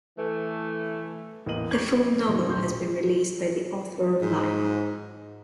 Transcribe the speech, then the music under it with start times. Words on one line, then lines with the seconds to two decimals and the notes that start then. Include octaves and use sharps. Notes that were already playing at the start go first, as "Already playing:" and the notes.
The full novel has been released by the author online.
0.18 E3 A3
1.46 A1 E2 A#3 D#5 D#7 F#7
1.71 C#6 D6 G6 G#6 F#7
1.98 B3
2.27 G#2 C3 F#3 A#3
2.48 D1 A#1 C6 C#6 G6
4.20 G#2